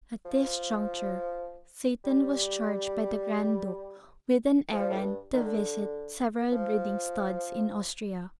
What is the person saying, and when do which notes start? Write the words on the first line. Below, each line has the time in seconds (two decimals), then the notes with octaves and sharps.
At this juncture, Seyton was charged by the Grand Duke with an errand to visit several breeding studs in Austria.
0.25 F3
2.04 G3
4.73 F3
4.90 A2
4.95 G2
5.33 D#3
5.39 D3
6.51 F3